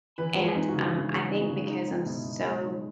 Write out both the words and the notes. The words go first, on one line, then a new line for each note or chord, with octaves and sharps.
And, um, I think because I'm so
E3 B4
G#3
G#4
D#4
F#4
C#3
E3
G#3
D#4
C#3
G#3 D#4
D#4
B2 E4
B2
G#3
D#4